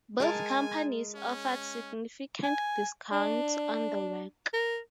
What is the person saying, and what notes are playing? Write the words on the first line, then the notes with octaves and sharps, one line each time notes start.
Both companies offered significant discounts on the work.
G#3 A#4 G#5 A5
C#4
G#5
D4
A#4